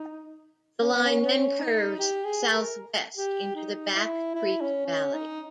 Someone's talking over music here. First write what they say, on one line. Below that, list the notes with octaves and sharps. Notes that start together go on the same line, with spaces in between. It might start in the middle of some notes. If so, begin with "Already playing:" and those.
The line then curves southwest into the Back Creek valley.
Already playing: D#4
C#4
B3
C#4
C#4
D#4
G4
G#4
A#4
G4
D#4
E4
E4
C#4
C#4
D#4